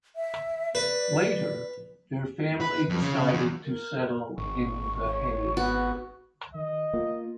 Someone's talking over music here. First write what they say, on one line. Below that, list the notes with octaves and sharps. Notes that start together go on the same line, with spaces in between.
Later, their family decided to settle in The Hague.
E5
B4 D5
B4
F2
C#3
E2
A#4
G#1 C#6
C#5
B3 F#4 B4
D#3 D#5
A#3 F4